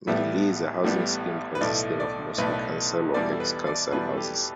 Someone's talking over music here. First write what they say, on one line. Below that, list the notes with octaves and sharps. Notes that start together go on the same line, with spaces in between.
Merrylee is a housing scheme consisting of mostly council or ex-council houses.
A1 A2 G3 B3 E4
A1 A2 G3 B3
B4
B1 A2 A3 D5
D5
B1 A2 A3 B4
D5
B4
E2 B2 G3 D5
A4
B4
D5
E2 B2 G3 B4
A4
G4